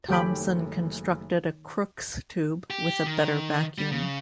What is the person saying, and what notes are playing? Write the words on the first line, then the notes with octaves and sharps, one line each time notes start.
Thomson constructed a Crookes tube with a better vacuum.
F#1 D#3 A3 G4 C#5 G5 G#5 B5
G4
D#3
G3
C#3